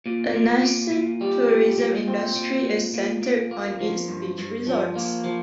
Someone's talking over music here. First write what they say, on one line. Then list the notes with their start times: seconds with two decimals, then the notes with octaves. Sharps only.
A nascent tourism industry is centered on its beach resorts.
0.06 A#2
0.34 A#2
0.63 A#2
0.91 A#2
1.21 G3
1.49 A#2
1.78 A#2
2.08 C4
2.36 A#2
2.64 A#2
2.94 A#2
3.22 A#2
3.51 A#3
3.81 F3
4.08 G2
4.38 G2
4.67 F3
4.95 A#3
5.24 F3